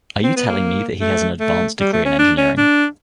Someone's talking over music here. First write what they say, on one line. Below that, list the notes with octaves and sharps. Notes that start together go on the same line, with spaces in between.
Are you telling me that he has an advanced degree in engineering?
C4
B3
A#3
A3
A3
G3
A3
C#4
D4
C#4
D4